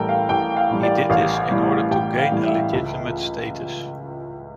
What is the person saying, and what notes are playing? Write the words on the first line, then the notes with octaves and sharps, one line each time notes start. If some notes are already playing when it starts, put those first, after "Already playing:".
He did this in order to gain a legitimate status.
Already playing: A1 A2 E3 G3 A4 A#4 G5
F5
A1 G5
F5
A2 E3 G3
D5
A1 F5
A2 E3 G3
A1 G5
F5
A2 E3 G3
E5
C#2